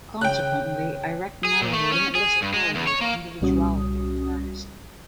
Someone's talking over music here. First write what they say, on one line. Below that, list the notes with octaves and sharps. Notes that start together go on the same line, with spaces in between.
Consequently I recognize the limitless authority of individuality of the artist ...
C#3 G5 F#6
G#4
A#2
A3
C#4
G#4
G2
G#3
E2
C#5
A#3
C2 A#2 G3 C#4 F#4 D#6